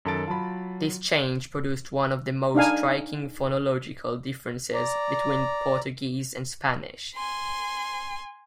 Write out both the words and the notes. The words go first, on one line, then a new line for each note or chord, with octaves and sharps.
This change produced one of the most striking phonological differences between Portuguese and Spanish.
F#2 D#3 A4 A5 A6 D7
F#3 F4 A5 B5
D4 D#4 F5 G#5
D5 A#5
G#5 C6